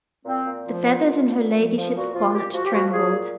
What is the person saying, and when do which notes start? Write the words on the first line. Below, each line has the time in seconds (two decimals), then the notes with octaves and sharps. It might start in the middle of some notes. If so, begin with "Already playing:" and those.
The feathers in her ladyship's bonnet trembled.
0.25 A#2 C4
0.44 A#2
0.63 F3 F4
0.82 A#2
1.01 A#2
1.20 A#2
1.39 A#2
1.58 F3
1.77 F3
1.96 A#2 F#4
2.15 F3 F4
2.34 A#2 G4
2.53 F3 F#4
2.64 G4
2.72 F3 F#4
2.91 F3 G#4
3.10 A#2